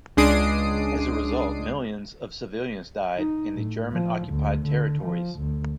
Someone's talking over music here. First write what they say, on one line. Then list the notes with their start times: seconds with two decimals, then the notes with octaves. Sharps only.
As a result, millions of civilians died in the German-occupied territories.
0.17 C#2 G#3 D4 D#6 C7 D7
3.17 D#4
3.54 A2
3.92 F3
4.27 D2
4.67 D3
5.03 F3
5.39 D2